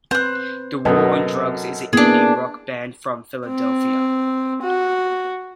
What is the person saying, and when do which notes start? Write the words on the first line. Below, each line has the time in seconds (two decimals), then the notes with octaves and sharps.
The War on Drugs is an indie-rock band from Philadelphia.
0.11 C4 B4 C5 F#6
0.85 F#2 B2 A4 A#4 D#5
1.93 A#3 B3 D4 E4 G#4
3.48 C4
4.63 F#4